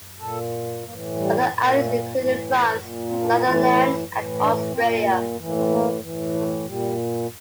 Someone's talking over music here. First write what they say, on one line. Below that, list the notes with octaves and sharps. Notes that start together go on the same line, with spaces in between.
Other allies included France, the Netherlands and Australia.
A#2 A4
A2 E3 A#3
G3
A#2
A3
A2 E3
A#2
C4
D4
E4
A2 E3 F4
E4
A2 E3
D4
A#2 C4
A3
G3
A2 E3
A#3
C4
A#3
A2 E3
A3
A#2 G3